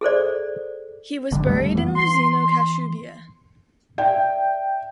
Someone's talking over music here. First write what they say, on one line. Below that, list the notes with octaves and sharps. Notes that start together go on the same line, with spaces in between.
He was buried in Luzino - Kashubia.
G#4 A4 C5 D5
F#1 D3 G3
F2 G3 A3
E3 B3
C6
D5 E5 G5